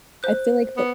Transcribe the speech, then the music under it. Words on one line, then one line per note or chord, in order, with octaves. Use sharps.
I feel like the
C5 F#6
B3